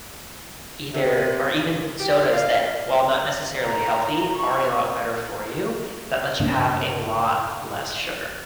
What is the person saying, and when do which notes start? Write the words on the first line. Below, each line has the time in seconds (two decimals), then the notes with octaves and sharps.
either or even sodas that, while not necessarily healthy, are a lot better for you that lets you have a lot less sugar.
0.93 C3
1.52 A#2
2.00 G4
2.32 F5
3.61 A#5
4.34 C#6
6.40 G2 C#3 A#3 D4